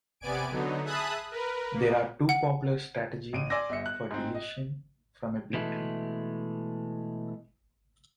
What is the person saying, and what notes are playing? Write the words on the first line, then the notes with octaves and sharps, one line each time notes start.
There are two popular strategies for deletion from a B-tree.
C3 B3 D5 G#5 D7
D3 F#3 B3 D#4
G#4 E5 A5 B5 D#6 F#6
A#4 B4
A#3 B3
F#5
A1 D7 D#7
D5 G#5 C6 D6 E6 A#6
G1 D#5 E5 C#7
F#6
G#2 C4
D#5
B2 E3 G#3 A3